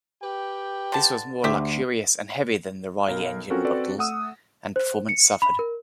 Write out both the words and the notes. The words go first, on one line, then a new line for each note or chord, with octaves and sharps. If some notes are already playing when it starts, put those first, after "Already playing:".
This was more luxurious and heavier than the Riley engined models and performance suffered.
G4 B4 G5
D3 A5
D2 G4 E5
B1 A#4 F5
C4 C#4 F4 F#4 A4 A#4
C4 F#4 A4 B4 D5
A3 F#5 D#6 E6
C5
C#7
B5
A#4